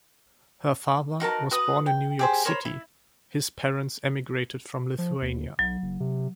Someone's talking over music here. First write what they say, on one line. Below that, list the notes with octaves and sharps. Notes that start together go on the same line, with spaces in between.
Her father was born in New York City; his parents emigrated from Lithuania.
D#4 F#4 A#4 A5
F#4 B4 D#6
G5
G4 G#4 C5
A#4 C5 C#5 B5
E4
F3
D#2
B1 F#3
F#1
C3